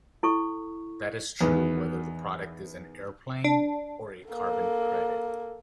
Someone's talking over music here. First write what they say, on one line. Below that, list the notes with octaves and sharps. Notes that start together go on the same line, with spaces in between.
That is true whether the product is an airplane or a Carbon Credit.
E4 A4 C#6
E2 D#3 B3
D4
A#3 A4